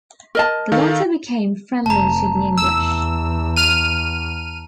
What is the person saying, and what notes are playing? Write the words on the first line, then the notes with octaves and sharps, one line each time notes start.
The latter became friendly to the English.
A#4 D#5 A5
D#3 A4 F5
F1 A5 A#5
E2 E6
F6 D#7